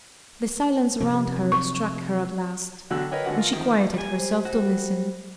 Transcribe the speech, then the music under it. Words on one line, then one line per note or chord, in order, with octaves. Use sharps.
The silence around her struck her at last; and she quieted herself to listen.
C3 F3 C4
C#6
B2 D3 F#3 G5 E6 F#6
A#4 B4 C#5 D#5 G5
G#1 D3 F#4 F#5
F4 A#4
D#3 F3
G3 G#5
C5
G3 F#4